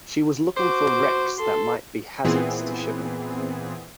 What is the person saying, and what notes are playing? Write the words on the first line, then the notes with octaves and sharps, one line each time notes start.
She was looking for wrecks that might be hazards to shipping.
F#4 C5 D6
A4 C6
A#2 E3 B3 C4 G#4